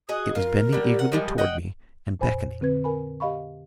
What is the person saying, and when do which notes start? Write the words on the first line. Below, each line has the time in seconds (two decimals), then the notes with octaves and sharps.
It was bending eagerly towards me, and beckoning.
0.09 F#4 G#4 D#5 D#6
0.35 F4 A#4
0.73 D3 G3
0.99 F#5
1.12 F3 G3 G#3
1.38 D#5 F#5 G5
2.20 F2 A#2 C5 G#5 B5
2.61 D3 C4 B4 G#6
2.84 A#4 G#5 B5
3.20 G4 D#5 F5 B5 C#6